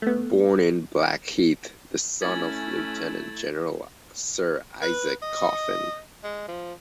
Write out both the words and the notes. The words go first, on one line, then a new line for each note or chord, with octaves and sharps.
Born in Blackheath, the son of Lieutenant General Sir Isaac Coffin.
A3 B3
A3 C#4 E4 G#6 A6 F#7
B4
D#5
G#3
F3